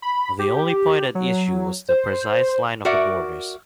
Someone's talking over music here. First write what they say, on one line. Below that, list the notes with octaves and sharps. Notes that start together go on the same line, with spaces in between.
The only point at issue was the precise line of the borders.
B5
G4
F#3
C5
F#4 A#4 D5 E5 F#5